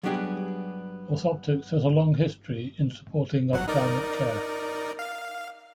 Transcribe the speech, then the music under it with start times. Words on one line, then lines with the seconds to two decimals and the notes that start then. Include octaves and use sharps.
Orthoptics has a long history in supporting ophthalmic care.
0.03 F#3 G3 B3 D4 G4 G#4
3.53 G1 F#3 F#5
3.68 D#4 A#4 D5
4.99 F5